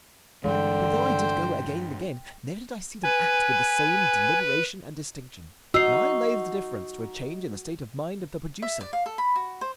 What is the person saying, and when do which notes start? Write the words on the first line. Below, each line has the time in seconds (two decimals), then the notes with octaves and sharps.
But though I did go again and again, never did I see them act with the same deliberation and distinction, and I laid the difference to a change in the state of mind of the producer.
0.44 G2 D3 E3 G#3 C5 G5
3.04 B4 G#5
5.74 D#4 F#4 E6 C7
8.62 E5
8.81 D5
8.93 F5
9.06 A4
9.18 B5
9.36 F#4
9.61 C5